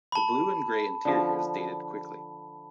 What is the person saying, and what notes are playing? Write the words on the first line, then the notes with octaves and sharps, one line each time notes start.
The blue and grey interiors dated quickly.
A5 B5
D3 F3